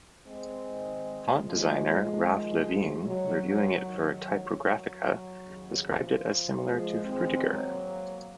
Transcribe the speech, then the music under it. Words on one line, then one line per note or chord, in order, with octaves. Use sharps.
Font designer Raph Levien, reviewing it for "Typographica", described it as similar to Frutiger.
G#3 C4
G#2 D#3
F3 G#3
F3 G#3
D#2 D#3 F3 G#3
F#3
F#3
G#2 D#3 F#3
F#3
F#3
D#2 C#3
F3
F3 G#3
G#2 D#3 G#3 C4
F#3 A#3